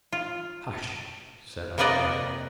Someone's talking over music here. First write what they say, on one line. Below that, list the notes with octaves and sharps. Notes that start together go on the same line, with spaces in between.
"Hush," said Andrea.
F4
C3 A#3 B3 B4 D5 D#5